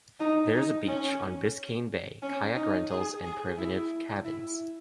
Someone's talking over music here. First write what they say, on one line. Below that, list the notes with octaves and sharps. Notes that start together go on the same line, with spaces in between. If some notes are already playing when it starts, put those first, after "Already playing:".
There is a beach on Biscayne Bay, kayak rentals, and primitive cabins.
D#4
D#4
C#4
C#4
D#4
G#4
G#4
E4
E4